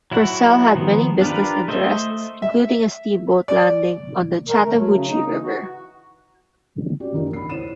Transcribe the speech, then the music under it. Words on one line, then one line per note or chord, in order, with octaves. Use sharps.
Purcell had many business interests including a steamboat landing on the Chattahoochee River.
F#3 E4 F#4 F#5
D#3 F3 B3
D4 F4 G4 A#4 B4
A3 C5 D#5 E5
E5
D5
A#4
A3
F#3
C#3
D#4
E3
F#4
C#4 F#4 G4 D5
F#1 D#3 D#4 F4 A#4
B5 C7
E4 C5 C#5 D#7 E7